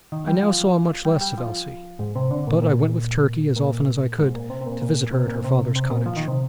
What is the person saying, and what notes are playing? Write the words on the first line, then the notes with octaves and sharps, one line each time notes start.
I now saw much less of Elsie; but I went with Turkey, as often as I could, to visit her at her father's cottage.
D#3
G3
F3
G3
G3
F3
G#2
C3
D3
A#2
A#2
A#2
G#2
A#2
C3
C3
A#2
A#2
C3
A#2
C3
C3
A#2
F3
D#3
C3